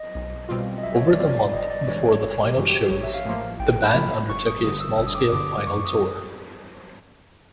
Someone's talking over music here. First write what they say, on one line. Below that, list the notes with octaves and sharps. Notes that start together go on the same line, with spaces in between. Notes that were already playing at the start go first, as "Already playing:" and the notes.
Over the month before the final shows, the band undertook a small-scale final tour.
Already playing: D#5
B1
B2 G3 C4 F4
D#5
B1 E5
C#5
D5
B2 G3 C4 F4
D5
G1 D#5
D5
G2 E3 G#3 C#5
C#5
G1
G4
G2 E3 G#3 F#4
G4
A1 C#5
E5
F5
A2 F3 A#3
A1 G5
B5
A2 F3 A#3
G1 C#6
D#6
G2 D3 D#6
E6
G1 E6
D#6
D6
D#6
G2 D3 D6
D6
F#2 C#6
D#6